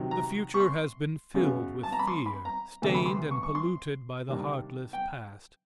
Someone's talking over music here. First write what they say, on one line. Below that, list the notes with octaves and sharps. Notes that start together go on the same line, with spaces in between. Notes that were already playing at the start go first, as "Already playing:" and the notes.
The future has been filled with fear, stained and polluted by the heartless past.
Already playing: C3 D#3 F#3
A#5
C#6
C6
F#2 C#3 F#3 B3
A5
A#5
B5
C6
B5
A#5
D2 C3 E3 A3
B5
C6
C#6
C#6
C6
C3 D#3 G3 A#3 D4
G5